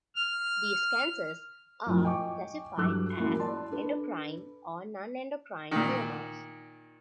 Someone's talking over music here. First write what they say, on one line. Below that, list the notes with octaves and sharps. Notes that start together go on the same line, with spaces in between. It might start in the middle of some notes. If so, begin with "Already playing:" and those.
These cancers are classified as endocrine or nonendocrine tumors.
F6
F#2 A2 F3 F#3
D#5 G5 G#5 C#6 D6
G2 F#3 A4 D6 E6 F#6
E3 G#3 A#3 C#4 E4 F#4
D5 A5 C6
D4 A4 B4
A#2 D#3